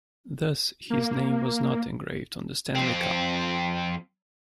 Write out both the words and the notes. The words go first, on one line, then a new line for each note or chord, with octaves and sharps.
Thus, his name was not engraved on the Stanley Cup.
A#3
F2 C4